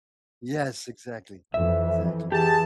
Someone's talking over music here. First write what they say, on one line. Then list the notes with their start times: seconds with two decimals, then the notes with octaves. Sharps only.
Yes, exactly, exactly.
1.54 F2 E3 E5
2.32 E3 G4 G#4 A5